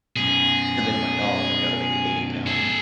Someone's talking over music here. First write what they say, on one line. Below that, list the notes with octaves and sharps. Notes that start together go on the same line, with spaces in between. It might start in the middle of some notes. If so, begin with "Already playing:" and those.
and then my dog I've got a big eighty-pound
F#2 B2 G#4
G#4 A4